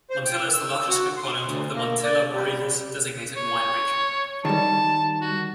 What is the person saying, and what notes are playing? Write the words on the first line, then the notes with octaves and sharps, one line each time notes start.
Montilla is the largest component of the Montilla-Moriles designated wine region.
C5
G5
E6
F#4
C6
D2
A#3
D5
G3
C#5
D#3 G3 A5
F#4